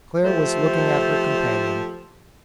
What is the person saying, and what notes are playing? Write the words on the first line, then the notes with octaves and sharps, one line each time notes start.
Claire was looking at her companion.
F3 A3 G4 A4 C5